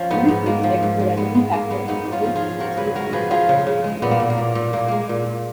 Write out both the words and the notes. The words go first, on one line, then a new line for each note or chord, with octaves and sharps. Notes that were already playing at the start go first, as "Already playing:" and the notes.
In this respect, a relevant factor is the produced species' feed conversion efficiency.
Already playing: F3 C#4
G#2 B3 D#4
G#2 B3
G#3 A#3
F3
G#2
G#3
G#3 B3
G#3 B3
G#2 A#3
G#3 B3
G#2 B3 D#4
G#2
C#4 F4
F3
F4 G#4
F3
F3 F#4 A#4
C#3 G#4 B4
G#3 F#4 A#4
F3 G#4 B4
F3 F4 G#4
C#3
C#3
G#3
A#2 B3
A#3
A#2
A#3
A#2
A#2
A#2 A#3
G#3 A#3
A#2
A#2